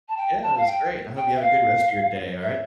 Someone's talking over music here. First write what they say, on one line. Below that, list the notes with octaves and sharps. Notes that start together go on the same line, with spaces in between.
Yeah, it was great, and I hope you have a good rest of your day, alright?
A5
G5
A5
F5
G5
G5
E5
F5
E5